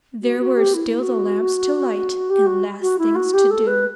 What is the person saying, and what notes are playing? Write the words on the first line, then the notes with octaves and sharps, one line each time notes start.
There were still the lamps to light and last things to do.
F#4
F#4
G4
E4
F#4
G4
F#4
F#4
E4
F#4
G4
A4
B4